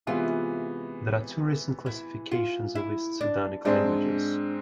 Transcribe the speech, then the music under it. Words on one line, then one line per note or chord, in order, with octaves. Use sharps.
There are two recent classifications of East Sudanic languages.
C3 E3 G#3 B3 F4
E4
F4
E4
D4
G#2 G#3 C4 D4